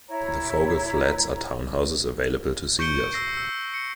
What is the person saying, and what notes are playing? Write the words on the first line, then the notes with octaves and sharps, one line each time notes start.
The Fogle Flats are townhouses available to seniors.
E4 C#5 A#5
C#6 G6 C#7 D7 G7
E6 A#6 C7
E6
C#7